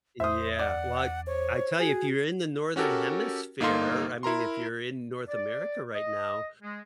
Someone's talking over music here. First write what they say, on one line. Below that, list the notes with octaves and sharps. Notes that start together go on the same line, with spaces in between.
Yeah, like, I tell you, if you're in the Northern Hemisphere, I mean, if you're in North America right now,
E2 C5 E5 D#6
D5 F#5
C5 C#5
F#4 G#4
C#4 F#4 G4 A4 A#4
G1 A#3 D#4 A4 F5 C6
E4 A#4 A#5 C6
D5
D#5
G#3